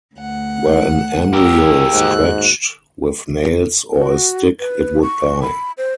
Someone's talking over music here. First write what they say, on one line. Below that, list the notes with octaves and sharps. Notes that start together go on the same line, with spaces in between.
Were an embryo scratched with nails or a stick it would die.
D2 F#5
G4 A#4 E6
D#2 G#2 F#4 F#6
F#4
B4
C#6
B5
C5